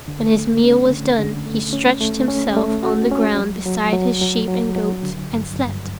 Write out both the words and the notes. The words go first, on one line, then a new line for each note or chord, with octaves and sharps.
When his meal was done, he stretched himself on the ground beside his sheep and goats, and slept.
D3
A3
C#4
D3
D3
A3
C#4
A3
C#4
A3
F#4
C#4
F#3
F#3
F#3
F#3
F#3
F#3
D3
G2
G2